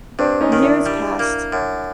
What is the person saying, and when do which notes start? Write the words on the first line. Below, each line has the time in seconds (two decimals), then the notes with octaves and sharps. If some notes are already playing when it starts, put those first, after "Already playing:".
Years passed.
0.19 G2 C4 D4
0.41 C#4 D#4
0.52 D#3
0.63 D4 E4
0.86 G3
1.19 A#3
1.53 F#2